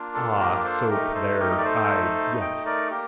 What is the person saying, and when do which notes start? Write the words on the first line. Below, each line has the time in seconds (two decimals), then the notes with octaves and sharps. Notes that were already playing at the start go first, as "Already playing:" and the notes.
Ah soap there I yes.
Already playing: A#3 D4 F4
0.14 A4
0.39 G4 A#4
0.64 A4 C5
0.90 A3 D#4 G4 A#4
1.15 A4 C5
1.40 G4 A#4
1.50 D#5
1.58 D5
1.65 A4 C5
2.41 D#5 G5
2.66 A#4 D5
2.90 A#3 G4 A#4